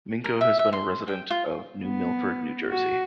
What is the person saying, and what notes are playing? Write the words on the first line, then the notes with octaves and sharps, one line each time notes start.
Minko has been a resident of New Milford, New Jersey.
A#4
E5
E5
C6
G5
F4
B3
F#4